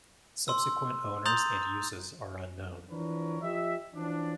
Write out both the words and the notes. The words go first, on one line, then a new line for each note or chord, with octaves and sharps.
Subsequent owners and uses are unknown.
C6 E6
A#5 C6 D#6 G6 A6 F7
E3 F3 D4 A#4 B4 C#5
F3 G4 D#5 E5
E3 F3 C#4 D4